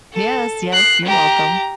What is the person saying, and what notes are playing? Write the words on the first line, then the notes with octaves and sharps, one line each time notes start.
Yes, yes. You're welcome.
A4
F#6 C7
G4 A#5